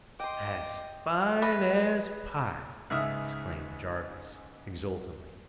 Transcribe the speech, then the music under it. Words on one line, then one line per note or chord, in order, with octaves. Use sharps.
"As fine as pie!" exclaimed Jarvis exultantly.
D#5 G5 C6 D6
B4 D#5
C#2 G#2 E5 D#6 F6